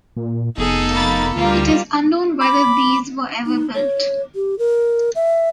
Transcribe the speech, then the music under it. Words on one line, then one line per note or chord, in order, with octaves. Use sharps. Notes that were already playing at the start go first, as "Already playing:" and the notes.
It is unknown whether these were ever built.
A#2
F1 B3 D#4 G#4 A4
A#3 B5 A6
D2 G3 A#3 F4
B5 D6
D#4
C#5
G4
A#4
E5